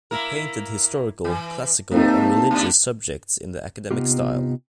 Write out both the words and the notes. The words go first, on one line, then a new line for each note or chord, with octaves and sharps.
He painted historical, classical and religious subjects in the academic style.
A#3 E4 A#4
E3
C3 A3 A#3 C4 D#4
B2 D4
C3 F3 B3 D#4 F4 G4